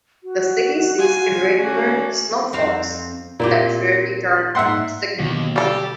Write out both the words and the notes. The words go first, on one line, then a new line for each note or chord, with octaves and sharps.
The city sees irregular snowfalls that rarely turn significant.
F#4
F4 G#5
A3 C#4 F#4 D5
F2 C4 F5
A#2 C4 E4 G4
G#2 A#3 E5 F#5 C6
D#2 B2 D3 F#3
G3 G4 A4